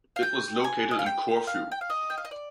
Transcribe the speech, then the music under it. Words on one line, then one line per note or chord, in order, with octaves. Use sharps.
It was located in Corfu.
F5
G5
G#5
D#5
F5
G5
F5
G5
F5
D#5
G5
F5
D#5
D5